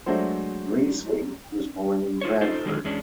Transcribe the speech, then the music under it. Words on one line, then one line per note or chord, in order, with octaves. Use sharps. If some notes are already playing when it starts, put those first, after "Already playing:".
Braithwaite was born in Bradford.
F#3 G#3 A3 D4 F#4 C5
F4 C5 C#5
D#4 F4 A4 C5
D3 D#3 F3 F#3 G#3 G#4
E2 G#3 C#4 D4